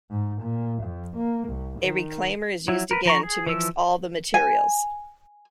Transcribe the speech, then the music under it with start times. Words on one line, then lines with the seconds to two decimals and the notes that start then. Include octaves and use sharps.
A reclaimer is used again to mix all the materials.
0.11 G#2
0.42 A#2
0.83 F2
1.17 A#3
1.49 C2
1.80 D#3
2.68 F#3 E4
2.91 A#4 B4
3.05 F3 A#5 C#6
3.23 G#4
3.46 E3 F3 E6
4.34 G#5